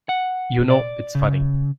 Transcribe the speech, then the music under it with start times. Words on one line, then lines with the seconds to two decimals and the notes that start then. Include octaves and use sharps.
You know, it's funny.
0.09 F#5
0.70 D5
1.15 C#3